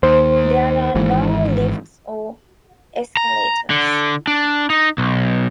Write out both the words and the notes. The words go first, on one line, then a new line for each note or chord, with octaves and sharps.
There are no lifts or escalators.
D#2 C5
G#1 G#2 E3
A#5
D3
D4
D#4
B1